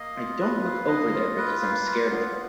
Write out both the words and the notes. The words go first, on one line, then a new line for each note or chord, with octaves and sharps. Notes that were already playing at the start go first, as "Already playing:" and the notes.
I don't look over there because I'm scared of her.
Already playing: A#3 D#5
F4
B4
A#3
D#5
F4
B4
A#3
F4
B3